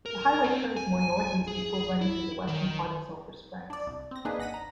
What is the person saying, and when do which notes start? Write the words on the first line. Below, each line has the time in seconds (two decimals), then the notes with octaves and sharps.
The highway turns more northeast before running through the western part of Sulphur Springs.
0.06 A#4
0.44 C4
0.76 G#5
1.48 G#4
2.01 E4
2.48 D#3
3.70 D4 D5
3.86 C2
4.11 C4 A#6
4.25 A#3 D4 D#4 G#4 B4
4.39 G1 F#5 A#6 B6 D#7
4.54 A#5